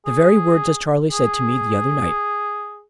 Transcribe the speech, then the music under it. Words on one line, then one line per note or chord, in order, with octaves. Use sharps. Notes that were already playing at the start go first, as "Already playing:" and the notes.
The very words as Charley said to me the other night.
G#4
G#4